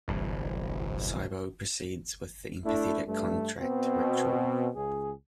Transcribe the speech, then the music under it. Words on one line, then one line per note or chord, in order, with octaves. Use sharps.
Sybo proceeds with the empathic contact ritual.
D1 G1 C2 E3
A3 D4 E4
G2 A3
B2 C4
C#2 G#4